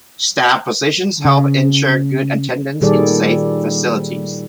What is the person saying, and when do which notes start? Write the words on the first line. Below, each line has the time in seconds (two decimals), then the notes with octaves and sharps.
Staff positions help ensure good attendance in safe facilities.
1.25 C#3
2.81 A#2 D#3 G3 G#4 A4 D5